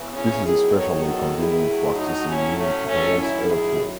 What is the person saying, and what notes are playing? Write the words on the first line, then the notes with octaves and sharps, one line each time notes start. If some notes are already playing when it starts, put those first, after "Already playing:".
This is especially convenient for accessing New Chitose Airport.
Already playing: E2 C#3 E3
C#4 E4
E2 D#3 F#3 E4 G#4
A4 C#5
F#4 A4
E4 G#4
A2 F#3
D#4 F#4
C#4 E4
A3 C#4
F#2 D#3 F#3 A3 C#4
C#4 E4
E4 G#4